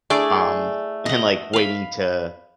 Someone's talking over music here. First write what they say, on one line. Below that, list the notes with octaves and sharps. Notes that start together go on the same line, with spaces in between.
um, and like, waiting to
A3 D4 E4 G#4 D5
D#5 F#5
F5 B5